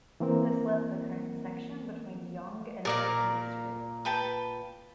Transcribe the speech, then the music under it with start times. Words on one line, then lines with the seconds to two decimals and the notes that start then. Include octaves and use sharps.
This left the current section between Yonge and Berkeley Street.
0.20 E3 A#3 C4 A#4
2.85 A#2 A#4 D5 F5
4.05 B4 G5 A5